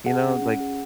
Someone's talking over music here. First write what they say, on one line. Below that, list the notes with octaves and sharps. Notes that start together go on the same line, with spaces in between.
you know, like
G#4 F#5
C#4
C#4
G#4